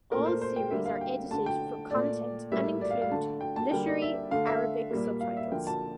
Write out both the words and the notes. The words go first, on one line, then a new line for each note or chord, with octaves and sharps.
All series are edited for content and include Literary Arabic subtitles.
A#2 A3 A#4
C5
C5
G5
D3 G3 A#3 E5
F5
G5
D3 A3 A5
G5
A#2 A3 D5
A2 G3 A#3 E5
D5
F5
F5
D3 A3 A5
G5
A5
D3 G3 A#3 G5
D5
E5
D3 A3 F5
E5
A#2 G3 A#3
F5
E5
D3 F3 A#3 G5
A5